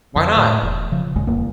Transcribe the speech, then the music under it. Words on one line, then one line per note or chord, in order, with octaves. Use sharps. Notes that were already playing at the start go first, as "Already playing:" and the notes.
Why not?
F2 D3
A2
E1
C#3 F3
G#1 D#2 G#3
D#1 E2 A#3